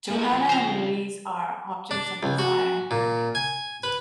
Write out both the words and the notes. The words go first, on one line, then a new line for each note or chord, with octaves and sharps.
Johanna and Louise are objects of desire and yearning.
E3 A#3 F5
F2 A#2 F3
C#2 F3 C4 C5 A#5
D4
C#2
F#4
A#2
G#5
B4